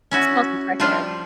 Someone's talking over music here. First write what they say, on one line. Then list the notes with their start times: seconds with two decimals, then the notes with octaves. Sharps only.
Smell some fresh air.
0.11 C#4 E4 F#4
0.80 F3 G3 D4 F4